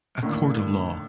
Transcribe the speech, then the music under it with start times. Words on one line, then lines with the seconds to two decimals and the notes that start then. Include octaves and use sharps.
A court of law.
0.23 A2 D3 D#3 A#3